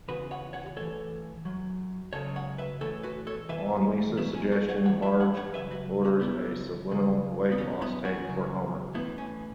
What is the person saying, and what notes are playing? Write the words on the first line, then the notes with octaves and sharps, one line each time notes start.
On Lisa's suggestion, Marge orders a subliminal weight loss tape for Homer.
E2 C#3 E3 F#4 B4
C#5 F#5
C#5 F#5
A2 E3 A4 C#5
F#2 F#3
C#2 C#3 F#3 A4 C#5
C#5 F#5
B4 E5
A2 E3 A4 C#5
F#4 B4
A4 C#5
E2 C#3 E3 B4 E5
E2 B2 F#3 B3 E4
C#4
A4 C#5
C#5 F#5
A2 E3 C#5 F#5
B4 E5
C#5 F#5
C#5 F#5
C#2 C#3 F#3 B4 E5
F#4 B4
C#4 F#4
C#2 C#3 F#3 B3 E4
F#2 C#3 F#3
B3
E2 B2 F#3 C#4
B3 E4
C#4 F#4
F#2 C#3 F#3
A2 E3 B3 E4
C#4